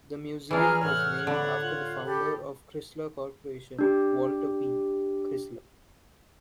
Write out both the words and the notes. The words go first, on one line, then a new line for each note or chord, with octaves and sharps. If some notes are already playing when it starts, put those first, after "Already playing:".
The museum was named after the founder of Chrysler Corporation, Walter P. Chrysler.
E3 D4 G#4 A#5 F6
A2 C#5 F#5 E6 F6
D3 D4 A5 B5
F4
G4 A4 B5
D4 G4